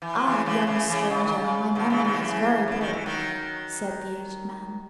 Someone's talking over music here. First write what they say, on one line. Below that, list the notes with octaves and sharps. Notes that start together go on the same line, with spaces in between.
"Ah, young stranger, my memory is very poor!" said the aged man.
E3
F#3
C#3 E3
C#3 E3
C#3 E3
C#3 E3
C#3
D#3
C#3
B2 D#3
C#3 E3
B2 D#3
F#3
C#3 E3
C#3
D#3
E3
D#3 F#3